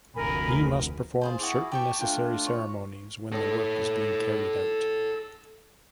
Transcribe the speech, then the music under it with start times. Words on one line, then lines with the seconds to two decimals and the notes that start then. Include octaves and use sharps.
He must perform certain necessary ceremonies when the work is being carried out.
0.14 F1 D2 A#4 G#5 B5
1.21 F4 G#4 C5
1.40 E4 F#4 G#4 D5
1.72 G4 G5 A5 C#6
2.00 A3 D4 F4 G5
2.46 C#5
3.32 A4 C#5